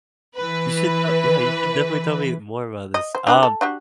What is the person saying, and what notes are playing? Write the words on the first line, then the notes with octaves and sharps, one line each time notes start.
you should, uh Yeah, you should definitely tell me more about this. Um,
E3 B4
D#5
C5
D4 F#4 B4
A4
D4 F#4 G4